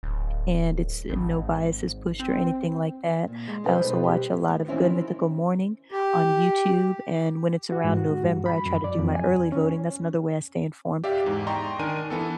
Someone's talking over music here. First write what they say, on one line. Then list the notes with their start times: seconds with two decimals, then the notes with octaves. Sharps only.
and it's eh, no bias is pushed or anything like that. I also watch a lot of Good Mythical Morning on YouTube, and when it's around November, I try to do my early voting, that's another way I stay informed.
0.03 D1
1.09 G#1
2.20 C4
3.27 A#2
3.48 G#3
3.64 B2 G3 D#4 B4 C5
4.03 G4
4.33 A2
4.68 D#3 E3 C4 C#4 E4 F#4
5.92 G4
7.72 F#4
7.84 G#2
7.96 F#4
8.23 G2
8.46 B5
8.66 F#2
8.84 D5
8.99 F2
9.15 G#5
9.52 C#4
11.04 G4 D5 E5 F5
11.24 E2 G#2
11.47 D5 D#5 G5 A#5 C6 C#6
11.79 D#3 D4 A#4 G#5 D#7
12.10 E3 B3 A4